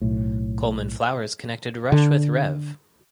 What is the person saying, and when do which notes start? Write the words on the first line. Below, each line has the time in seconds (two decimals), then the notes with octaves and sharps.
Coleman Flowers connected Rush with Rev.
0.01 B1 A2
1.92 D3